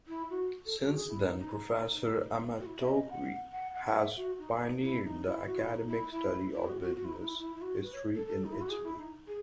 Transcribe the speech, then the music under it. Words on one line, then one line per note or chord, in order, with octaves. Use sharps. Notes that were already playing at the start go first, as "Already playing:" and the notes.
Since then, Professor Amatori has pioneered the academic study of business history in Italy.
E4
F#4
A4
A4
F#4
G#4
E4
D#4
D#4
F#4
E4
E5
D#5
F#5
F#5
F#5
F#5
E5
F#4
D#4
E4
D#4
E4
F#4
E4
D#4
E4
E4
E4
G#4
F#4
F#4
F#4
E4
D#4
E4
E4
E4
F#4
B4
C#5
A4
A4
D#4
E4
F#4
G#4
E4
D#4
G#4